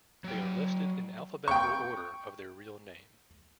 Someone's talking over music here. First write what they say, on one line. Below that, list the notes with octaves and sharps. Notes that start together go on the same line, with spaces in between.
They are listed in alphabetical order of their real name.
F#3 G5
G5 C#6